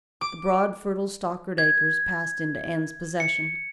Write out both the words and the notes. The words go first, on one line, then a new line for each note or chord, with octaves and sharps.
The broad, fertile Stockard acres passed into Anne's possession.
D6
G#6
C#7